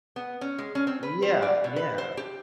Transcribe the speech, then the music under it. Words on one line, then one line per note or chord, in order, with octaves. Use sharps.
Yeah, yeah.
B3
C#4
G#3
C#4
C4
B4
C5
D5
B2
B4
C5
G4